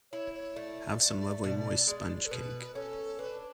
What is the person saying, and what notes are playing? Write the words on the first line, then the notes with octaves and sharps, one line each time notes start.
Have some lovely moist sponge cake.
E4 C#5
C#5
A3 D5
A3
B2
G#3
A4
B2 B4
C#4 A4
D4 B4